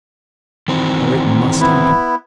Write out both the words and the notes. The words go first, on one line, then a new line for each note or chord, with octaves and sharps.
For it MUST happen.
D#3 E3 C4
B3 E4